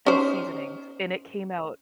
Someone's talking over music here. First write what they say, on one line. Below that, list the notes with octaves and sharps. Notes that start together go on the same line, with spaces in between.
and seasonings, and it came out
C#4 D#4 C5